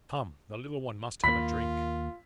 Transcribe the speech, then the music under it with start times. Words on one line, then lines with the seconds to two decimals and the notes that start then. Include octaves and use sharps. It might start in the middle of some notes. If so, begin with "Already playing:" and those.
Come! the little one must have a drink.
1.24 D#2 A#3 F4 B5 B6